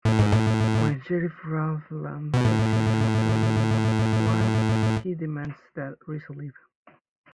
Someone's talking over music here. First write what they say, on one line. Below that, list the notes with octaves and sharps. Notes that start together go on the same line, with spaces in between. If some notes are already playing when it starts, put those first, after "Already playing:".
When Sheriff Ralph Lamb catches Rizzo in one, he demands that Rizzo leave.
A2
G#2
A2
B2
A2